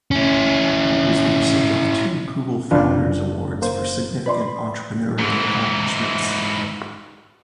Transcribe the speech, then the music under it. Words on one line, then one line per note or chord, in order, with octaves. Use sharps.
He was the recipient of two Google Founders' Awards for significant entrepreneurial accomplishments.
C#4 E4
F#1 D4 F4 B4
A#3 C5
B4 D5 B5 C6
G#2 E3